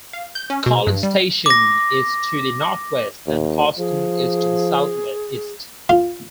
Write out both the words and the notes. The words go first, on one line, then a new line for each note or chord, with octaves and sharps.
College Station is to the northwest, and Houston is to the southeast.
F5
G6
C#4
B2
G2
G3
D6 A#6
D#2
F3 G#4
F4